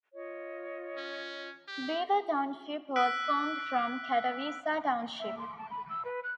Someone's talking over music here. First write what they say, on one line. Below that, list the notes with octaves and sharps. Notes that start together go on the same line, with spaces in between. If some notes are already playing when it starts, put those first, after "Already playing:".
Beaver Township was formed from Catawissa Township.
F4 C#5 D#5
C#4
G4
E6 F#6 B6 D7
E5
C6
A5
B5
E6
B4
F#6